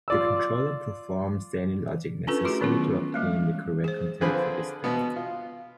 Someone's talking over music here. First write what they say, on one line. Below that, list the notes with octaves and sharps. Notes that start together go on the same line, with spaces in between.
The controller performs any logic necessary to obtain the correct content for display.
F4 D5 E6
C#4 D4 F4 A4 B4
A3 E4 F#4 G#4
D#3 F#3 B3 C#4 E4 F4
G3 G#3 A#3
G#4 C5
D3 F3 C4 G#4 B4 B5
B2 B3
F4